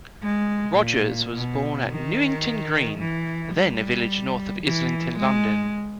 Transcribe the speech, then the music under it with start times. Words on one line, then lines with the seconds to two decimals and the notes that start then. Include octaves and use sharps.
Rogers was born at Newington Green, then a village north of Islington, London.
0.23 G#3
0.78 A#2
1.33 B2
1.89 D#3
2.99 E3
3.54 G3
4.64 E3
5.19 G#3